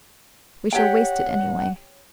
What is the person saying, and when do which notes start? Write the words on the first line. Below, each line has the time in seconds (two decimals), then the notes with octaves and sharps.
We shall waste it anyway....
0.73 G4 C#5 F#5 G5